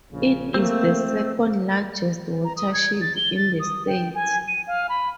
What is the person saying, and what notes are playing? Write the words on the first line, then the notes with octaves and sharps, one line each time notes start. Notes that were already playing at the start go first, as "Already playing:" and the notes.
It is the second largest watershed in the state.
A#1 C#3
A3 A#3 C4
A#5
D#6
G#6
A6
G7
A6
D#6
G5
G#5
D#7
F5
B5